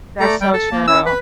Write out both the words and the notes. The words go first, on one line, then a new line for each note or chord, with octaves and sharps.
That's so true.
A3 A4 D5 A#5
G3 G5
A4 A5
A#3
C#4 E4 E6
B4 B5